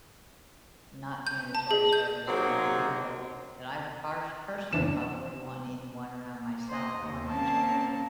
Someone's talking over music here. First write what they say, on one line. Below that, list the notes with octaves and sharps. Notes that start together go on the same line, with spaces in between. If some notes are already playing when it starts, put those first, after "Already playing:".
not mandatory service from people that I parsh personally probably wouldn't even want around myself or my children.
G6
A5
G#4
G6
C3 F#3 A#3 C4 D#4
F#1 E3 D4 E7
A#3
C5 D#5
D#2
A#3 C4 C#4 A5